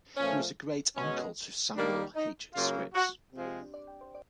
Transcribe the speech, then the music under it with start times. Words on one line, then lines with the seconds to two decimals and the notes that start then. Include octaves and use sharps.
He was a great uncle to Samuel H. Scripps.
0.17 A#2 F3 A3 C#4
0.96 B2 G#3 C#4
1.75 D#3 G3 A#3 D4
2.15 D#4
2.54 C#3 F#3 A#3 F4
2.94 F#4
3.33 C3 F3 G#3